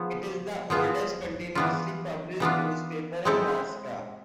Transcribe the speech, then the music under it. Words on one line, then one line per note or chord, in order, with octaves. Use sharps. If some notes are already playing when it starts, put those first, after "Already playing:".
It is the oldest continuously published newspaper in Alaska.
Already playing: F3 B3 F4 G#4
F3 B3 F4 G#4
E3 B3 D4 F4
E3 B3 D4 F4
G#3 C4 E4 A4